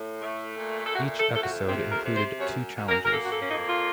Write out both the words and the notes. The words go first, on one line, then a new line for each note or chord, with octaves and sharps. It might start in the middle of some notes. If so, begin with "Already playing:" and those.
Each episode included two challenges.
Already playing: A2
A3
A#2
A4
A3 F#4
A4
F2 A4
F#4
C3 C4
A#4
C3
C5
F#2 C#5
F#2
A#4
A#4
A#3 A4
F#4
A4
C#4
F2 D#4
F4